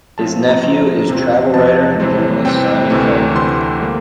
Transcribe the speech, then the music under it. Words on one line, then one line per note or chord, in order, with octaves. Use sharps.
His nephew is travel writer and journalist Simon Calder.
A2 F3 C4 A5
A#5
A2 F3 C4
E2 C3 F3 C4
E2 C3 F3 C4 A5
C3 E3 G3 C4
C3 E3 G3 C4 G5
D2 C3 E3 A3
D2 C3 E3 A3 C6
D3 G3 A#3